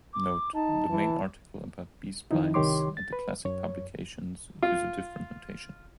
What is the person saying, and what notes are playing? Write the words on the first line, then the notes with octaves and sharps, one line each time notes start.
Note: the main article about B-splines and the classic publications use a different notation.
D6
D#4 A5
E3
D#3 F3 D#4 E4
C2 D#3 G4 C#5 C6 D6
A6
B4
F#2 C#5
F4